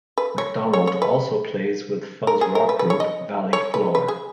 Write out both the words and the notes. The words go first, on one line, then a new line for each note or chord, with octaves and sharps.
MacDonald also plays with fuzz rock group 'Valley Floor'.
B4
C#5
C#5
C#5
B4
A#4
G#4
A#4
B4
B4
C#5
D#5
C#5
B4
B4
G#4